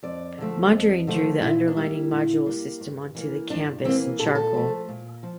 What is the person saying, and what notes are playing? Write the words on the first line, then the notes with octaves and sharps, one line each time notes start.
Mondrian drew the underlying modular system onto the canvas in charcoal.
F2 D5
D3 F3 A3
F2
D3 F3 A3
A#2 E4
D4
G3 A#3 E4
A#2
G3 A#3
G2
E3 A#3
G2 D4
E3 A#3 C4
A#2 A4
G4
A4
F3 A3
A#2
F3